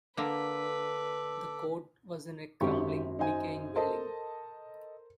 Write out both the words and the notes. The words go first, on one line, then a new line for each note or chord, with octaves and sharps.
The court was in a crumbling, decaying building.
D3 A#3 A4 B4 D6
G#1 F#2 G4 C#6
D#4 C5 G#5
A4 A#4 C5 D#5 A5